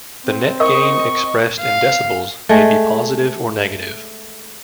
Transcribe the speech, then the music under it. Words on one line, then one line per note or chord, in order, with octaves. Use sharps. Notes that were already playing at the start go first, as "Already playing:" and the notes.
The net gain expressed in decibels may be positive or negative.
C4
A#4 D#5 C#6 D#6
F5
G#3 A3